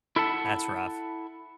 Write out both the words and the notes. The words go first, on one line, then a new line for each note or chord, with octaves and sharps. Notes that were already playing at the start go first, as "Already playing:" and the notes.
That's rough.
E4 A4 E5 F#5 A5